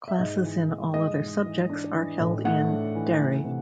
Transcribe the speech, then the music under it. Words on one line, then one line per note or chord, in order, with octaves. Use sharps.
Classes in all other subjects are held in Dari.
E5
G#2 D#5
E3
G#2
G#3 D#5
G#2
E3
D4
E3
A2
A3 F#5
D4
E3
A3
C3